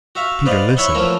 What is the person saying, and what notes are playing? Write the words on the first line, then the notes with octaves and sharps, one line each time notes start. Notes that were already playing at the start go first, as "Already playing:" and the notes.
Peter listened.
F#4 E5 F5
B4 C5 D5 D#5 F5
E4 C#5 E5 F#5 C6
E3 F3 A3 A#3 C#4 A#4